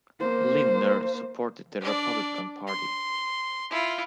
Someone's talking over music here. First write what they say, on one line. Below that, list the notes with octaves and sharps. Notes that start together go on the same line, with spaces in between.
Lindner supported the Republican Party.
A#3 C5
D4 D5
C6
E4 F4